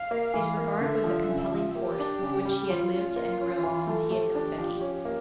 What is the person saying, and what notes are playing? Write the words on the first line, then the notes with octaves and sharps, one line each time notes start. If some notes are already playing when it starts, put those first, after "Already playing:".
His regard was a compelling force with which he had lived and grown since he had known Becky.
Already playing: F5
A#3
E3
A#3
D3 E5
F3
C#3
F3
A#3 G4
D4
C#3
G3
F3 F4
C#4
A#3
C#4
E3
A3
A3 G4
D4
F3
C#4
A#3